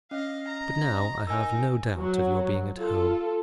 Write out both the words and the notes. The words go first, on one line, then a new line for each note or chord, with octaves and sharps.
But now I have no doubt of your being at home.
C#4 D#5 F5
A#5
D#4 A#4 G#5 E6
F#3
F4 A4